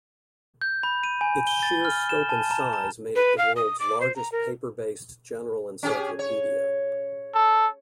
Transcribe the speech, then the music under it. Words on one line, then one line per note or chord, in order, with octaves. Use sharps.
Its sheer scope and size made it the world's largest paper-based general encyclopedia.
G6
B5
D#7
G#5
G7
A6
F6
E7
A5
A#5
A#5
B4
F5
D#6
D6
C5
A#5
A#4
C#4 G4 G#4
C#5
A4